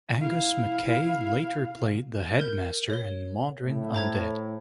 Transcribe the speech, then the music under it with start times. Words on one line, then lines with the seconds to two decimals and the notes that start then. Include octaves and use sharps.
Angus MacKay later played the Headmaster in "Mawdryn Undead".
0.19 E4 F5
2.40 A#4 G6
2.90 C#5 G7
3.65 A2
3.95 C5 A#5 G#6